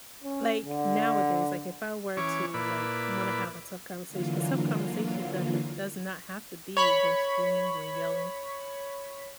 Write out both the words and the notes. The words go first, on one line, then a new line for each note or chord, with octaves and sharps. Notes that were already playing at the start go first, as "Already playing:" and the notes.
like, nowadays, like, if I were to, like, h wanna have a tough conversatio 'cause tough conversation doesn't does not have to be, "we're screaming, we're yelling,"
C#4
D3
E3 C#4 C#5 D6
A#2 E4 B4 D5
D3 E3 F#3 A#3 F4
C#5 B5